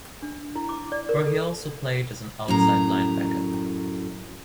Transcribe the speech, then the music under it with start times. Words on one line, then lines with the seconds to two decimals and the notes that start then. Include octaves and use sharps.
Where he also played as an outside linebacker.
0.22 D4
0.56 E4
0.69 D6
0.92 D5
1.09 A#4
1.26 A4
2.48 F#2 A2 A#5